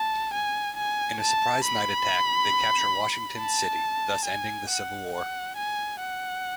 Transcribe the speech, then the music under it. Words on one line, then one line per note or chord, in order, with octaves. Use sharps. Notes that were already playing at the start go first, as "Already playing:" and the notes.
In a surprise night attack they capture Washington City, thus ending the Civil War.
Already playing: A5
G#5
G#5
A5
B5
A5
G#5
F#5
F#5
G#5
F#5